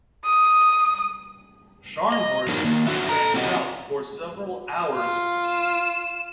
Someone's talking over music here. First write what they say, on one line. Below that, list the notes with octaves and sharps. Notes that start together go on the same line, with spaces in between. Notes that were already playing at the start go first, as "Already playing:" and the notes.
"Scharnhorst" ran south for several hours.
D#6
D#5
F#3 B3 D4 D#4 A#4
D#3 A#3
F#3 D4 F#4 E5
A4 A#5
C4 C#4 F#4 G4 D5 D#5
F4
E7